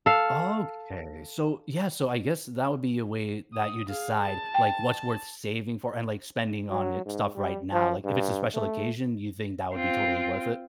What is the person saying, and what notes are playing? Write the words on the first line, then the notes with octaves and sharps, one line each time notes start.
Okay, so yeah, so I guess that would be a way that you decide, like, what's worth saving for, and like, spending on, eh, stuff right now, like, if it's a special occasion, you think that would be totally worth it?
A4 F5
D#6
G#4 F5
A5
G5
F#3
G#2
G3
F3
G2
A3
C4 F4